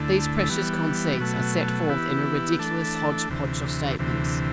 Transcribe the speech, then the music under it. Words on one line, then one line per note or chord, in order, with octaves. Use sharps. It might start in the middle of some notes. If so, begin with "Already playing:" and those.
These precious conceits are set forth in a ridiculous hodge-podge of statements.
Already playing: D2 D3 A3 E4
E3 G3 B3
B2 F#3 A3
E3 B3 E4 G4
E3 A3 D4 A4
D2 C3 E3
D2 C3 E3